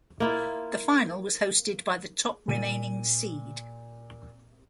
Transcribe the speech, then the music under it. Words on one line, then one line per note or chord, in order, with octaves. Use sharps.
The final was hosted by the top remaining seed.
A#3 E4 F4
A#2 D#7